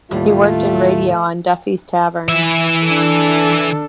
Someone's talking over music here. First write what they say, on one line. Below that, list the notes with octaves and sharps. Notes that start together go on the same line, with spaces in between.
He worked in radio, on Duffy's Tavern.
D#2 A2 G3 A3 F4
E3 E5
D4 A4